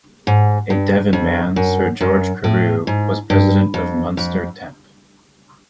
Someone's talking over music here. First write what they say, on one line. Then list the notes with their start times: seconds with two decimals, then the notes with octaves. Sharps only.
A Devon man, Sir George Carew was President of Munster temp.
0.27 G#2
0.70 G2
1.13 F2
1.56 F#2
2.01 F#2
2.44 A2
2.87 G#2
3.30 G2
3.74 F2
4.17 F2